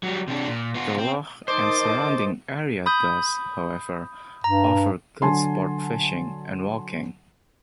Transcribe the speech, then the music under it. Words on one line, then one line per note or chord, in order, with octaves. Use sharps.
The loch and surrounding area does, however, offer good sport fishing and walking.
F#3 G3
C3 D4
A#2
B3 F4
C4
D#3 C5 D#5 A5 D6
B5 D#6 G6
G2 A#5
D3 F#3 G#5 A5 C6